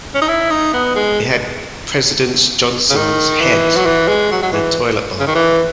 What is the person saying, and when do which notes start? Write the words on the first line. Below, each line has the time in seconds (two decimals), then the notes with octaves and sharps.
It had President Johnson's head in a toilet bowl.
0.14 C#4
0.22 D#4
0.29 E4
0.51 D#4
0.73 B3
0.95 G#3
2.90 C#3
2.96 D#3
3.41 E3
3.76 F#3
3.85 E3
4.08 G#3
4.31 F#3
4.42 F#3
4.52 E3
5.20 C#3
5.27 D#3
5.35 E3